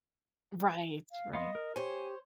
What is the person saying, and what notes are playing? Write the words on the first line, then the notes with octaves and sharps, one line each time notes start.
Right, right.
F5
B3 D#5 F5 C6
A#4
G4 C5 C#5 G#5 C6